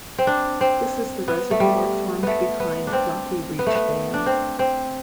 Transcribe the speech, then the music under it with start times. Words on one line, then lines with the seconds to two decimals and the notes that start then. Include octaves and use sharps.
This is the reservoir formed behind Rocky Reach Dam.
0.18 C4
0.27 D4
0.61 C4
1.28 B3
1.51 A3
1.60 G3
2.23 A3 B3
2.60 B3
2.87 D4
2.93 C4
3.59 B3
3.66 A3
3.75 B3
4.14 D4
4.26 C4
4.59 C4